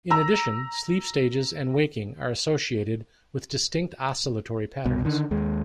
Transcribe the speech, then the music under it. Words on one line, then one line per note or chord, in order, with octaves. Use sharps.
In addition, sleep stages and waking are associated with distinct oscillatory patterns.
A#5 E6
C2 B2
D3 D#3
D#2 G#3